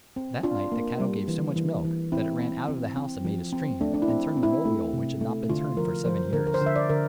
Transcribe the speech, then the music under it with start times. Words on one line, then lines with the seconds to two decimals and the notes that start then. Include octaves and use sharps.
That night the cattle gave so much milk that it ran out of the house and made a stream, and turned a mill wheel which had not been turned for seven years!
0.16 C4
0.43 D4 F4
0.72 A#3
1.00 G3
1.28 E3
1.56 E3
1.85 E3
2.12 C4 E4
2.40 C4
2.68 C4
2.97 C4
3.25 F3
3.53 C4
3.81 A3 D4
3.94 D4
4.02 E4
4.08 C4
4.37 C4
4.43 E4
4.65 A3
4.93 C3
5.21 A3
5.49 D3 F4
5.77 F3 A#4
6.05 F3 C5
6.33 D3 A#4
6.47 A#4
6.54 C5
6.61 D3 E5
6.76 D5
6.89 D3 A#4